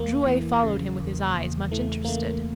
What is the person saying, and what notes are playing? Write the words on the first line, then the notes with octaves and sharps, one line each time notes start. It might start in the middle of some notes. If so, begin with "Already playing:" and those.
Drouet followed him with his eyes, much interested.
Already playing: E2 A#3
E3
C#3
E2
E2
E3 A3
A#3
C#3 A3